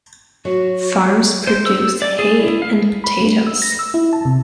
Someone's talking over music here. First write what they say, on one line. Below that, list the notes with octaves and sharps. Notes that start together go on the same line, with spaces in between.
Farms produced hay and potatoes.
F#3 F#4
C5
E6
D5
G#4
E4
F5
B5
A3
E6
A#6
E6
E4
A5
C3